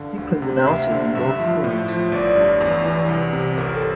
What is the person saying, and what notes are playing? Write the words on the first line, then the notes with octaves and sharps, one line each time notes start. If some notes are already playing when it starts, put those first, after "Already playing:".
He played announcers in both films.
Already playing: G2 D3 F5
D2
C3
E5
D2 F5
D3
G2 E5
F3
A2
F3
G1 D5
G2
E2
E3
C2
C3
G1 A#4
A4